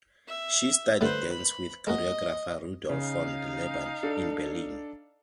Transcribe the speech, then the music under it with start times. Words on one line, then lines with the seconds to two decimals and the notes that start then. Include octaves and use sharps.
She studied dance with choreographer Rudolf von Laban in Berlin.
0.28 E5
1.01 A2 D3 G3 B4 C5
1.32 B5
1.87 G#3 A#3 F#4 D#5
2.89 C#3 D#4 F5
4.03 D4 A4